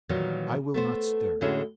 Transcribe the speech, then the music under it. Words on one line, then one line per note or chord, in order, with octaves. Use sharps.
I will not stir.
A#2 D#3 E3 F#3 G3
A3 B3 C5
A2 D3 G#3 C#4 E4 F#4